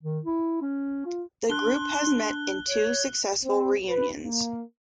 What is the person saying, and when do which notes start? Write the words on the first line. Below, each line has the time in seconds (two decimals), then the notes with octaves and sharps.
The group has met in two successful reunions.
0.03 D#3
0.24 E4
0.62 C#4
1.06 F4
1.50 D4 C6 F#6 G7
2.68 C#5
3.44 C4
3.89 B4
4.24 A#3